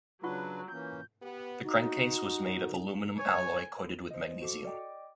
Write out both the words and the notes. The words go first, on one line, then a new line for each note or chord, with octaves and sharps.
The crankcase was made of aluminium alloy coated with magnesium.
C#3 F#3 D4 F4 B4 F#5 C#6
E3 A#3 C#4 G6
B3 G4
D#4 F#4
C#5 G#5
C5 D#5
F#4 A4 D6 C#7
D5 D#5 G5 D6